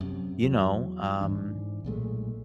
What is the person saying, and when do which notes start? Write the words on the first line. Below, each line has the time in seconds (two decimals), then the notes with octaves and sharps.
you know, um,
0.01 F#2 C3
0.44 E2 F#3
1.21 G#2 E3 D4
1.84 B1 A#2 G#3 A3